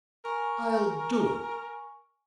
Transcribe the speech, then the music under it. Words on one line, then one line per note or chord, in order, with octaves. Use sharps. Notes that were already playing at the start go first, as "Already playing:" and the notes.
I'll do it....
A#4 G#5 C#6